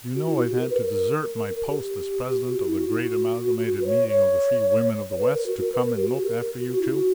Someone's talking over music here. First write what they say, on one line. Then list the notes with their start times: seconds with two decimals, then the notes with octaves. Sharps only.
Do you know I've had to desert my post as president of the Great Amalgamated Meeting of the Free Women of the West to come and look after you two?
0.15 F#4
0.26 E4
0.37 F#4
0.50 G4
0.59 A#4
0.70 B4
0.81 A#4
1.68 G4
2.47 F#4
2.56 G4
2.67 E4
2.78 F#4
2.89 E4
2.99 F#4
3.81 B4
3.87 C#5
4.08 C#5
5.11 C#5
5.18 B4
5.32 A#4
5.47 F#4
5.61 A#4
5.73 B4
5.84 A#4
5.96 G4
6.05 F#4
6.16 G4
6.27 A#4
6.59 F#4
6.71 F#4
6.82 E4
6.93 F#4